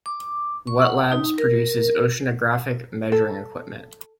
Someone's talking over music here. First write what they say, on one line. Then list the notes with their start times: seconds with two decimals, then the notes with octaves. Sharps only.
Wet Labs produces oceanographic measuring equipment.
0.06 D6
0.67 C#6
0.82 F#5
1.12 D#4
1.38 A#4
3.12 A4